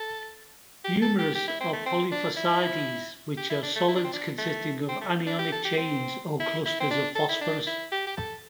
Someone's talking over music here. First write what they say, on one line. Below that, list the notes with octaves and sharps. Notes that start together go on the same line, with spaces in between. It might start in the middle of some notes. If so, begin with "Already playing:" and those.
Numerous are polyphosphides, which are solids consisting of anionic chains or clusters of phosphorus.
Already playing: A4
G4
A4
G4
G4
E4
C4
A3
C4
D4
E4
G4
E4
D4
A3
E4
D4
C4
D4
A3
C4
A3
D4
G4
A4
G4
C4
E4
E4
C4
D4
A4
E4
D4
E4
G4
G4
A4